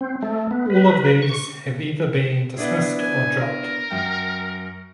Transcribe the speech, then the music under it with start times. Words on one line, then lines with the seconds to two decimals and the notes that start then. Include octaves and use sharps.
All of these have either been dismissed or dropped.
0.01 C4
0.23 A3
0.51 B3
0.70 B4
1.22 C#6
2.57 B3 D4 E4 G#4
2.99 G#5
3.40 A#4
3.90 F#2 G5